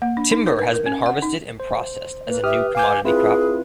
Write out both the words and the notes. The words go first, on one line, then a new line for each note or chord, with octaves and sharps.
Timber has been harvested and processed as a new commodity crop.
A#3
D4
D#4
A#4
B4
A#4
C#4
F#5
D#4
C5
A#3 B4
G4 E5 D#6 F6
F5 G#5 D6 G6
C4 E4 F4 G#4 B4